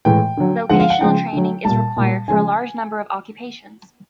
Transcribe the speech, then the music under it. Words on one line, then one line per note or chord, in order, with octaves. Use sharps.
Vocational training is required for a large number of occupations.
A2 E3 G#3 G5
D3 F#3
D3 F3 G#3 F#5
F5
F#5
C#3 F3 G#3 G5
D3 F#3
A#2 G3 A5
A#2 G3
C#3 F3 G#3 G#5